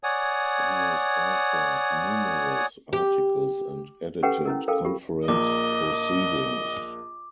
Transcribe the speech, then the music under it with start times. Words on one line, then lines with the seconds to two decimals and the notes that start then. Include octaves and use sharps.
He has authored numerous articles and edited conference proceedings.
0.03 C#5 D5 F#5 G#5 D#6
2.93 G4
4.23 C#4 G4 A4 B4 F#5 G5
4.45 C#4 E4 A#4
4.68 A4 A#4 F5 G5
4.85 F4 G4
5.28 A#1 A#3 D#5 D6